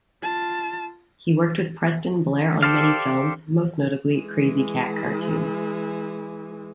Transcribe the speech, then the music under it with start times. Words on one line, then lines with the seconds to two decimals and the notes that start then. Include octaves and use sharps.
He worked with Preston Blair on many films, most notably, Krazy Kat cartoons.
0.22 F4 A5
2.63 G4 A4 C5 D5 F5
4.14 E3 G#3